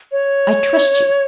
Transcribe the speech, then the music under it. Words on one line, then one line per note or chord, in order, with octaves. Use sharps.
I trust you.
C#5